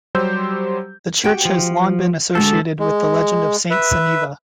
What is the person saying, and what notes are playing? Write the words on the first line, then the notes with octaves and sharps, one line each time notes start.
The church has long been associated with the legend of Saint Sunniva.
F#3 G3 G4 C5 E6 G6
F#4 G4 G5
F3
D3 G#3 F#4 A4
G#3
B4 E5